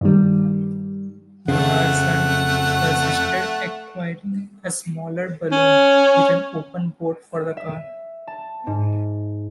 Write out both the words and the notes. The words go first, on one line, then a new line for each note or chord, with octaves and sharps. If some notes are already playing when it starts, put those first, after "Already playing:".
Donaldson persisted, acquiring a smaller balloon with an open boat for the car.
G2 D#3 G3
F2 C#3 A3 F#5
C#4
E5
A5
G#2